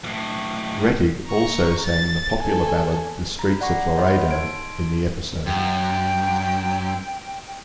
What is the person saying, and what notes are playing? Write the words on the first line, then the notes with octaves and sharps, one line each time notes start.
Rettig also sang the popular ballad "The Streets of Laredo" in the episode.
B1 A2
A#5 C#6
A6
A4 G#5
A#5 B5
D5 F#5 A#5 C#6 A#6
C#5 D#5 E5 F#5 B5 C6
D#4 C6 G#6 D7
F#2 G5